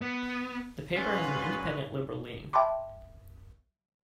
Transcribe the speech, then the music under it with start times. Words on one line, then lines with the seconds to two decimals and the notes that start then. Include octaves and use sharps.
The paper has an independent liberal leaning.
0.02 B3
0.96 A#2 G#3 C#4 F4 F#4 B4
2.53 E5 G5 A5 B5 C6 D6